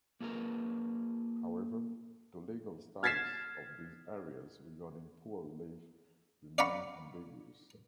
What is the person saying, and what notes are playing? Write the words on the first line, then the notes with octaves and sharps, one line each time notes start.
However, the legal status of these areas regarding poor relief remained ambiguous.
A#3 F4 G#4 A#4 B4
F6 G#6 A6 B6 C7 E7
D5 F5 F#5 A#5 B5 C#6